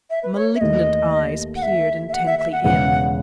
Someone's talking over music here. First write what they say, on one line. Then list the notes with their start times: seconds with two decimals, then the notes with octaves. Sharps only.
Malignant eyes peered intently in.
0.10 E5
0.23 B4
0.35 C#5
0.55 E5
0.61 D#2 D#3 A3 E4 D#5
1.56 F#5
1.63 E5
2.09 E5
2.13 F#5
2.27 E5
2.39 E5
2.52 F#5
2.64 E1 E2 C#3 E3 F#5